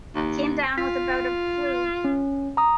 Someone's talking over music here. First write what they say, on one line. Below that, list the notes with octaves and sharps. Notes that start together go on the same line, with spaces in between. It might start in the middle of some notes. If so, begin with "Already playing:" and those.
He came down with a bout of flu.
D#2
F4 B6
C#4
A#5 D#6